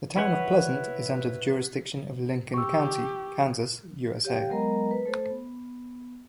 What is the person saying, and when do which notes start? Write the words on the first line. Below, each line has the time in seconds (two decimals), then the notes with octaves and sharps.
The town of Pleasent is under the jurisdiction of Lincoln County, Kansas, USA.
0.17 E4 B4 C#5 F#5
2.54 G4 C#6 E6
4.25 G4 C#5 F5 G5
4.50 F#3 G#3 B3 A#4 D#5 A#5
4.91 B4
5.06 A3 A4 C5
5.30 B3